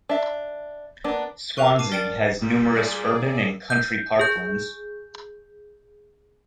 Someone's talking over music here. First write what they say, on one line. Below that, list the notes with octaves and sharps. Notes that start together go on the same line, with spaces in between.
Swansea has numerous urban and country parklands.
D4 E5
A#3 B3 D4
A#4 C#6 F#6 F7
A5 D6 C7 D#7
A#4 D5 G5 A6 D7
A#2 G3
G#4 D5
G6
G#4 G6